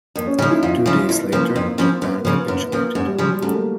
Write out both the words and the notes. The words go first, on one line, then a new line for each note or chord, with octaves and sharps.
Two days later, Japan capitulated.
F2 A#3
C#4
C#3 F3 D#4
E4
F2 F4
C#3 F3
F2 E4
B3
C#3 F3 A#3
F2 C4
C#3 F3 C4
F#2 B3
A#3
C#3 F3
B3
F#2
B3
C#3 F3 A#3
F#2 G#3
G3
C#3 F3 F#3
G3
F#2 A3
A#3